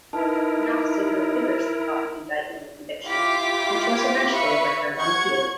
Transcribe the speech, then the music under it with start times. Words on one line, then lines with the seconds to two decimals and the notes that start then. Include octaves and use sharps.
Nofziger vigorously fought the indictment and conviction, which was eventually overturned on appeal.
0.13 D#4 E4 A#4 B4 A5
3.06 E4 F4 G4 F5 D6 B6
4.31 B4 E5 F5 C#6
4.98 F#5 C#6 G#6